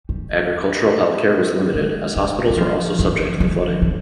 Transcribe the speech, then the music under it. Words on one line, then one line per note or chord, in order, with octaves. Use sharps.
Agricultural Healthcare was limited as hospitals were also subject to the flooding.
G3
G#3
G3
G3
F3
F3
F3
F3